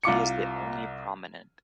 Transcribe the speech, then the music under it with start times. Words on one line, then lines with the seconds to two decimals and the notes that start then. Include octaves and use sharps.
He is the only prominent.
0.03 C2 F4 D6 C#7